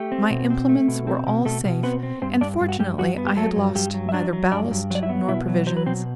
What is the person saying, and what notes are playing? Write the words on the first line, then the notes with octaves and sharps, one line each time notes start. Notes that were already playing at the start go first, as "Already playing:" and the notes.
My implements were all safe, and, fortunately, I had lost neither ballast nor provisions.
Already playing: A3 G4
C4
B2
C4
A3
B2
C4
B2
B2 A3 A4
B2
B3 C4 B4
C4
G2 C4 C5
G2 D4 D5
G2
F#4
G2 G3 G4
G2 F#3 F#4
B3
G4
F#3 A3 A4
G2
G2 G3 G4
F#3
E5
F#3 D4 D5
F#3
G2 D4 D5
G2
F#3 D5
E4 E5
B3
B2 E4 E5
F#3
F#3 C5
B4
B2 C4 C5